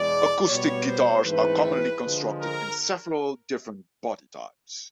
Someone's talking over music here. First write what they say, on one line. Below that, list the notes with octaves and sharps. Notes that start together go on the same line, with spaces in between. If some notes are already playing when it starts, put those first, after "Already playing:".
Acoustic guitars are commonly constructed in several different body types.
Already playing: E2 B2 G#3 D5
B2 G3 B3 C#5
C5
G#2 E3 A3 C4 B4
D3 F3 G#3
A#4